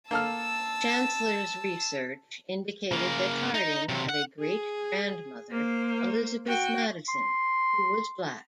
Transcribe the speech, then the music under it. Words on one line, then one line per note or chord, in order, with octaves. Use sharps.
Chancellor's research indicated that Harding had a great-grandmother, Elizabeth Madison, who was black.
A#3 A4 A5 E6 F6
C#3 A#3
D#4
C3 F#3
F#5
G#4
A#3 C5
F#4 G5
C6